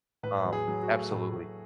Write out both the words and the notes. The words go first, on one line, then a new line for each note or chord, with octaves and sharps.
um, absolutely.
A2 B4
F#3
G#4
F#3
F#4
A3
A2
A2